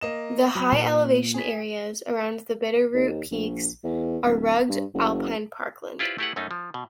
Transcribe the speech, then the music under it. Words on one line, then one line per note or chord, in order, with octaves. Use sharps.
The high-elevation areas around the Bitterroot peaks are rugged alpine parkland.
A#3 D#5 E7
F#3 B5
A#2 A#3 B4
G#4 B6
D#2
A#1
E2
D1
G2
F#1
E4 F4 G4 B4 C5 D5
A3 E4 G4 G#4 B4 F#5
F#2 A3 C#4 D#4
F3
B2